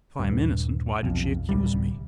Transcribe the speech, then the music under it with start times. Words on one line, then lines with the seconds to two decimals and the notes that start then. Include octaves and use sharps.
"If I am innocent, why did she accuse me?"
0.19 D#1 G2
1.03 B1 F2
1.49 D1 C2 G3